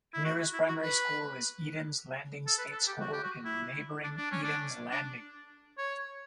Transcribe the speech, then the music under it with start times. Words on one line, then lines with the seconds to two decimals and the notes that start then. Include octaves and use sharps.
The nearest primary school is Edens Landing State School in neighbouring Edens Landing.
0.14 E4
0.24 F#4
0.53 E4
0.68 F#4
0.82 B4
2.46 A4
2.58 B4
2.72 A4
2.87 G4
3.00 F#4
3.12 G4
3.23 F#4
3.45 E4
4.04 D4
4.17 D4
4.31 C#4
4.43 D4
4.91 D4
5.78 C#5